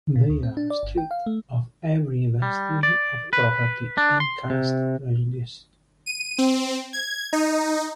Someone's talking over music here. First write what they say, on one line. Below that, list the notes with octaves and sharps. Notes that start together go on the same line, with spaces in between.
They are stripped of every vestige of property and caste prejudice.
A#2
D2
C4
D4
D5
G1
G5
F5
A3
G3
D5
B4
D4
C6
C3
D#7
C4
G#6
D#4